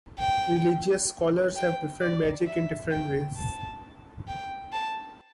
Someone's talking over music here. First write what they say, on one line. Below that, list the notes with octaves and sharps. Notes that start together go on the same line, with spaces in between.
Religious scholars have defined magic in different ways.
G5
G5
D5
E5
G5
A5
G5
A5